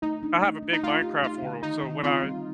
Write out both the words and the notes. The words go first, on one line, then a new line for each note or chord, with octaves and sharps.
I have a big Minecraft world, so when I
A3 D#4
D4
A3
D4
D#4
A3 F4
G4
A3 F4
D3
D#3 D#4
D#3
C4 F4
G3